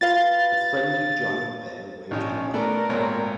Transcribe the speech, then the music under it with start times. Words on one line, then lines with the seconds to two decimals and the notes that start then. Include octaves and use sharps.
The friendly giant bear waved goodbye.
0.01 F4 B4 F5 A6
2.11 A#1 D#3 C#4 D#4
2.54 A3 B3 A#4 D5
2.89 G#1 A#2 C#5